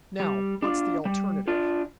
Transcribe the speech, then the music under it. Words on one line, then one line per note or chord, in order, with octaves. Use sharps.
"Now, what's the alternative?"
G3
D4 F4
G3
D4 F4